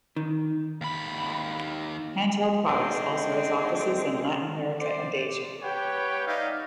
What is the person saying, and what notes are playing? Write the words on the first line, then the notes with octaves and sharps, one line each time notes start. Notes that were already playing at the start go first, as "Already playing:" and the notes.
Hand Held Products also has offices in Latin America and Asia.
D#3
D#2 B5
G#3 A3 C4 D4 D#4
C5 D5
G4 B4 C#5 F#5 G5
D#4 D5 E5 F5